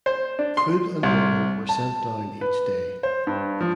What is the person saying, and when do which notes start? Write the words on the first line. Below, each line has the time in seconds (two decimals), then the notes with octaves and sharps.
Food and water were sent down each day.
0.06 C5
0.39 D4
0.57 C6
1.03 C2
1.69 A5
2.41 B4
3.03 C5
3.27 G2
3.61 F3